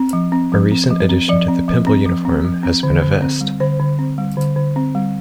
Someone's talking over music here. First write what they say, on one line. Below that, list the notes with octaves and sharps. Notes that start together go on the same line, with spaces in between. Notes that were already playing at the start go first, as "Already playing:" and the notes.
A recent addition to the Pymble uniform has been a vest.
Already playing: C4
F3
C4
F3
C4
F3
C4
F3 D5
C4
F3
C4
F3
C4
F3
C4
D3
D3
C4
G3
D3 C5
D3
C4
G3
D3
D3
C4
G3